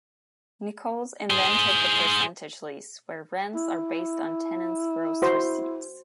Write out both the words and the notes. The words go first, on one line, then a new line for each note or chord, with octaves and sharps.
Nichols invented the percentage lease, where rents are based on tenants' gross receipts.
G#4 C5
E4
F#4 C5